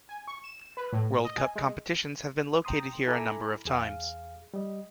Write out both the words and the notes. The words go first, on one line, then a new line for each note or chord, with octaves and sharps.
World Cup competitions have been located here a number of times.
G#5
C#6
E7
B4
A2
D#5
G#5
G#3
G5 A#5 C6 D#6
E4 A4 G#5 A#5 B5 D6
E2 G#4 F5
G3 D#5